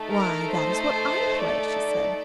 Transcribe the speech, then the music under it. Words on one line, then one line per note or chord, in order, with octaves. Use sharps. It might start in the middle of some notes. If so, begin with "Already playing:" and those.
'Why, that is what I play!' she said.
Already playing: A3 D#4 A4
A#4
C5
D5